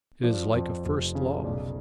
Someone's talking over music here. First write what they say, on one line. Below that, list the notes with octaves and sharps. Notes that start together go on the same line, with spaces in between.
It is like a first love.
F3 D5
F2
F1
C#3
B1 D5